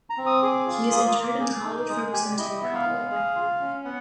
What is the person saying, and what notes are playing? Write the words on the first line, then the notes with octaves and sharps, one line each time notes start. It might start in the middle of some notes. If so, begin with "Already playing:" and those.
He is interred in the Hollywood Forever Cemetery, Hollywood.
A#5
C4
D#6
G#4 D6
F4
A#3 D#6
D#6
A#3
D6
G#4
D#4
G#3 D#6
G4 G#5
D5
E4 D#5
D#5
B3 E5
F5
G#3
G#4
F4
C#4
B3 F#5